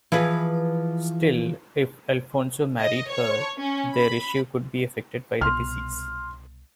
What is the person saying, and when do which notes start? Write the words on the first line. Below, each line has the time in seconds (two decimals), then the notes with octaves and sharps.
Still, if Alfonso married her, their issue could be affected by the disease.
0.12 E3 F3 G#4 B4
2.78 D#5
3.09 C#5
3.57 C#4
3.93 B5
5.41 C2 B2 C6 F6